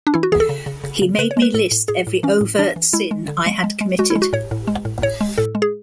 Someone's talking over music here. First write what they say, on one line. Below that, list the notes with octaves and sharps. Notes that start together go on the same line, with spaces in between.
He made me list every overt sin I had committed.
D4
E3 E4
F#4
E3 G#4
A4
C#3
C#3
C#3
C#3
C#3 B4
C#5
G#3
B4
A2 A4
A2
A2 G#4
A2
E3 C#4
A2
E3 D4
E3
G#3 E4
G#3
D3
G#3
G#3
G#3
G#3 F#4
E4
G#3
F#4
A2 C#5
A2
G#3
A2
A2 C#5
G#3
A2 A4
G#3
G#4